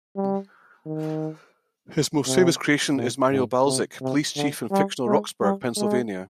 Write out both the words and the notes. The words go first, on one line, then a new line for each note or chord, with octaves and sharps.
His most famous creation is Mario Balzic, police chief in fictional Rocksburg, Pennsylvania.
G3
D#3
C3
A#2
G#2
C3
C3
D3
G3
G#3
G3
G#3